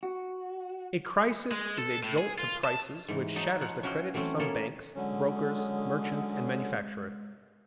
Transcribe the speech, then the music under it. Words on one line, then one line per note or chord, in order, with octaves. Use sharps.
A crisis is a jolt to prices which shatters the credit of some banks, brokers, merchants, and manufacturers.
F#4
G#3
A4
A2
G#4
F4
A5
G#2 E3
F#3 D#4 A5
F3 F#5
C#4 E4 F#4 F5 G5
E3 F#3 A3 C4 C#4
A#3 C#4 E4 A4
D3 F#3 G#3 C#4